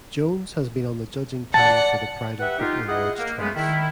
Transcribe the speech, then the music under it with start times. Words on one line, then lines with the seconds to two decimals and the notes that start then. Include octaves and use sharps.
Jones has been on the judging panel for the Pride of Britain awards twice.
1.54 D5 F#5 A5
2.40 G4 B4 E5 F#5
2.59 D#4 F4 G4
2.88 E4 G#4 D#5 F#5
3.19 A#3
3.40 G#3 A3 B3
3.56 D#3 E4